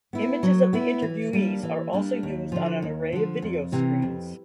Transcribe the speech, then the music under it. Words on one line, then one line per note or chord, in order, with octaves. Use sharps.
Images of the interviewees are also used on an array of video screens.
B3 E4
F#3
B3 E4
E3
G3 A#3 D4
E3
G3 A#3 D4
D#2
D3 F3
D#2
D3 F3
F2
C3 E3
F2